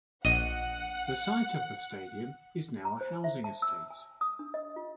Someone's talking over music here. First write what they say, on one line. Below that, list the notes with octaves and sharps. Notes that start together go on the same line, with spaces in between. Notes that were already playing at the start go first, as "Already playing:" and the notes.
The site of the stadium is now a housing estate.
A#1 D#5 F#5 D#7
A#5
C5
E5
A5
E6
G#5
D#6
D4
D#5
F4